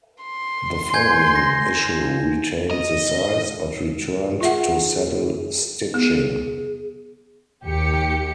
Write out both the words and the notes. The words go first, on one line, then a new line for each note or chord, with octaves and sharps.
The following issue retained the size, but returned to saddle-stitching.
C6
G#5 G6 G#6
A#6
D#5
F4 G#4 E5 F#5
B3 G#4
D#2 G4 C#7